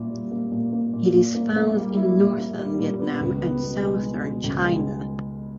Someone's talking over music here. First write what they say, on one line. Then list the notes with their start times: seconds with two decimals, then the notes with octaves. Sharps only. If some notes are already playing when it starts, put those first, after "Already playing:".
It is found in northern Vietnam and southern China.
Already playing: A#2 E4
0.11 G3
0.31 A#3
0.52 A#2
0.73 A#3
0.93 A#2
1.14 A#2
1.35 A#3
1.56 A#3
1.76 G3
1.96 E4
2.17 A#2
2.38 A#3
2.59 G3
2.79 A#2
2.99 B3
3.21 C#2
3.41 B3
3.62 B2
3.83 G#3
4.03 B2
4.24 B2
4.44 C#2
4.65 G#3